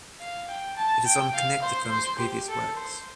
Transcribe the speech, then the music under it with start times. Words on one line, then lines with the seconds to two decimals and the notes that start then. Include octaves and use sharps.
It is unconnected from his previous works.
0.20 F5
0.48 G5
0.77 A5
1.05 G5
1.34 F5
1.62 C5
1.91 C5
2.19 G4
2.48 A4
2.76 C5